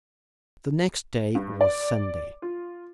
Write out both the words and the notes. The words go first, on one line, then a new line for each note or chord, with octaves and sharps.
The next day was Sunday.
G2
D5
F4